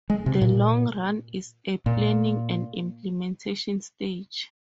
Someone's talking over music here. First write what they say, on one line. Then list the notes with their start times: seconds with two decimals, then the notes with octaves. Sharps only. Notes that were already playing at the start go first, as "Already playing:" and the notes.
The long run is a planning and implementation stage.
0.10 G#3
0.26 C3
0.42 A#2
1.86 A#2